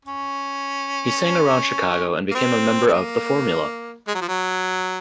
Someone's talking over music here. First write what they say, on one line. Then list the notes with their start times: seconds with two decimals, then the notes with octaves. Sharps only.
He sang around Chicago and became a member of The Formula.
0.05 C#4
2.31 A#3
2.35 C4
2.87 C4
2.93 A#3
4.08 G#3
4.15 F#3
4.21 F3
4.28 F#3